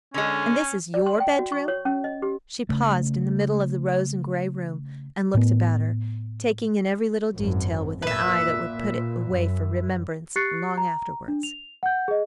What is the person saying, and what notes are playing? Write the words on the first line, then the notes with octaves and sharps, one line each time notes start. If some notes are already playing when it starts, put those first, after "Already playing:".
"And this is your bedroom!" she paused in the middle of the rose-and-gray room, and looked about her, taking in every little detail with an eye that would put it away for remembrance long afterwards.
D3 G#3 C#4
D5
C6
G5
F#4
C#6
C#5
C#4
D#5
G4
C#3 A3
A2 B3
G#1 F#2
A#2 B4 E5
F#2
G4 C#6 F#6 A6 C7 C#7
A#5
D4
F7
F#5 G6
G#4 D#5